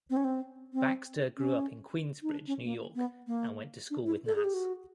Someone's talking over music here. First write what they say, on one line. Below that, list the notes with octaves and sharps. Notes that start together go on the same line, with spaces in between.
Baxter grew up in Queensbridge, New York, and went to school with Nas.
C4
C#4
C4
C4
C#4
D#4
D4
C#4
A#3
B3
A#3
D4
E4
A4
G#4
G4
F#4